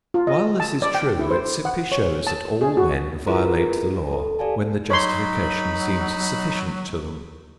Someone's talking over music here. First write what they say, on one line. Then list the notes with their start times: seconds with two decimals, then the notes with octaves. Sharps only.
While this is true, it simply shows that all men violate the law when the justification seems sufficient to them.
0.14 F4
0.27 D#5
0.60 A5
0.82 D5
0.95 G5
1.19 E4
1.31 C5
1.65 F#5
1.92 C#5
2.27 A5
2.61 G#4
2.77 F#4
3.27 E4 F4 G#4 A#4 B4 A#5
4.13 A4
4.39 G4 A4 D5 F5 G#5 A5
4.90 F#3 D#4 C#5 B5 C6